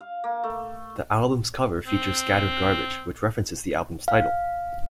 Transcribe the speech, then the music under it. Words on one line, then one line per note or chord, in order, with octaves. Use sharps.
The album's cover features scattered garbage, which references the album's title.
F5
A#3
A3
C4
F5